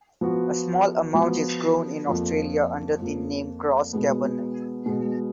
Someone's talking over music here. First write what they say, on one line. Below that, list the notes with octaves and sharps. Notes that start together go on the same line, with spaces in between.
A small amount is grown in Australia under the name Gros Cabernet.
F3 B3 F#4
F3 B3 F#4
F2 F3 A#3
F2 F3 A#3
B2 G#3 B3
B2 G#3 B3